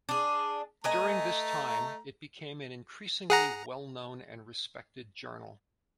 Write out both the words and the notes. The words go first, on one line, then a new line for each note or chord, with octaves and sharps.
During this time, it became an increasingly well-known and respected journal.
D4 G#4
A3 B4 D#5 G#5 A#5
G#4 F#5 A#5